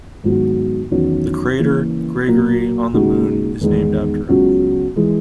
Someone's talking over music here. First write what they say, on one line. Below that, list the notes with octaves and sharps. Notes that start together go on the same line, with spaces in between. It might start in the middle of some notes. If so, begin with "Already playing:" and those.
The crater Gregory on the Moon is named after him.
G#2 D#3 F#3 B3 F#4
E2 D#3 F#3 C#4 F#4
C#3 E3 A#3 C#4
A#2 F#3 A#3
D#2 C#3 G#3 D#4 F#4
E2 D#3 G#3 B3 D#4
C#2 C#3 F#3 B3 F#4
E3 G#3